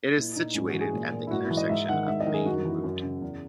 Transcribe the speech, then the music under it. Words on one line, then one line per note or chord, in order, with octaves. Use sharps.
It is situated at the intersection of Maine Rte.
A#2 E4
A#2 D#4
G#2 C#4
F#4
E3
G#4
A#2
A#2
E4
G#2 F#4
E4
E3
D#5
G#2 E5
D#3 F#5
G#2 E5
D#5
D#3
G#4
F#2 F#4
E3
F#2
C#3
E2